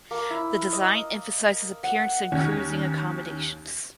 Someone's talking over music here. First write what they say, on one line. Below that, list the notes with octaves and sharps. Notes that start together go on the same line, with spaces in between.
The design emphasizes appearance and cruising accommodations.
A#3
E4
D#5
F#5
D#2 C#4